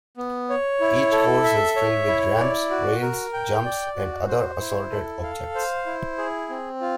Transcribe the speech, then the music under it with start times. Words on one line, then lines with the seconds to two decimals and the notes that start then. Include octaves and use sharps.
Each course is filled with ramps, rails, jumps, and other assorted objects.
0.17 B3
0.50 C#5
0.81 E4
1.12 A4
1.44 E5
1.76 C#5
2.08 E4
2.39 D5
2.70 F#4
3.02 A#4
3.33 G5
3.65 D5
3.96 F#4
4.28 C5
4.60 E4
4.91 A4
5.23 F5
5.55 C5
5.86 E4
6.18 G#4
6.50 C4
6.81 F4